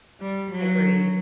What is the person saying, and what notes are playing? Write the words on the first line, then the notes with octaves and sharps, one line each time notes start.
I agree.
G3
F#3